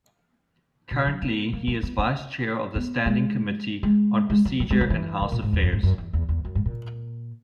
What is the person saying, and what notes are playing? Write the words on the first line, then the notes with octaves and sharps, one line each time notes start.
Currently he is Vice-Chair of the Standing Committee on Procedure and House Affairs.
B2
F#3
B3
A#3
A#3
B3
C#4
B3
G#3
G#3
G#3
F#3
F#3
G#3
F#3
E3
D#3
A#2
G#2
E2
F#2
G#2
F#2
E2
E2
E2
F#2
G#2
A#2